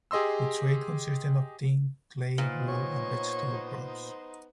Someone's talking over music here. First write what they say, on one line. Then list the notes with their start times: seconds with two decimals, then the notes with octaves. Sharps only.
The trade consisted of tin, clay, wool, and vegetable crops.
0.11 G4 G#4 D#5 C6 E6
2.38 A#2 B3 D#4 C5
2.68 C#5